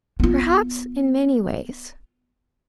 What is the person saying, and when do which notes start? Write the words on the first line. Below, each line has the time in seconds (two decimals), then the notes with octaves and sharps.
Perhaps in many ways.
0.20 B3 F4